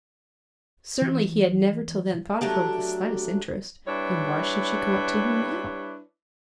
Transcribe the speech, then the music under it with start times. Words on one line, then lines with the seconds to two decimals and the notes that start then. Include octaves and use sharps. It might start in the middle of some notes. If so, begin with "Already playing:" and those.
Certainly he had never till then thought of her with the slightest interest, and why should she come up to him now?
1.02 E3
2.41 F#3 A3 D4 G4
3.87 G3 D4 E4 B4 C#5